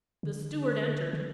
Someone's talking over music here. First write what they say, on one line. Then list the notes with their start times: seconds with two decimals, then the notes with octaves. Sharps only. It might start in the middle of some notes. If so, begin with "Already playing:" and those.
The steward entered.
0.23 D3
1.13 D3